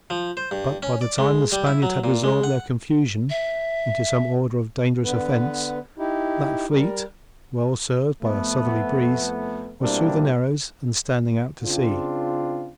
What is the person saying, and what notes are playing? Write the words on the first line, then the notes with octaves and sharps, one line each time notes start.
But by the time the Spaniards had resolved their confusion into some order of dangerous offence, that fleet, well served by a southerly breeze, was through the narrows and standing out to sea.
F3
C5
G2
C#4
D5
G#3
G3
E4
F#3
A#2
G#3
F#5
E5
D3 B3 B4
D#4 E4 G4
G3 A#4
F2 A3 B3
B2 G3 A#3 C4 D4 E4
C#3 C4 D4 F4